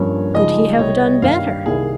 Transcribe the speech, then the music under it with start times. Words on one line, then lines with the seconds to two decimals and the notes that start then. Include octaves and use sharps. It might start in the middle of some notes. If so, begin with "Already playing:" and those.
Could he have done better?
Already playing: G2 F3 A#3 C#4 C#5
0.34 C#3 F3 G#3 D#4 D#5
0.79 C2 C3 G3 C#5
1.22 G2 D#3 G3 A#3 D#4 F5
1.66 C2 C3 D#3 A#3 G#4